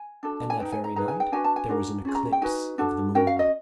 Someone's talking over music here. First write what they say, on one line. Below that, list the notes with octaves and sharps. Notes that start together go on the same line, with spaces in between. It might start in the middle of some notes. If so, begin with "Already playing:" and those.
And that very night there was an eclipse of the moon.
Already playing: G#5
D4 F#4 A4
G#5
D#4 G#4 B4 G5
G#5
A#5
D#4 G#4 B4 A#5
G#5
G5
D4 F#4 B4 G#5
A5
G#5
D4 F#4 A#4
C#4 F4 G#4
A#5
G5
D#4 F#4 B4 G#5
D4 F#4 A4
C#4 F#4 A#4 G5
F5
D#5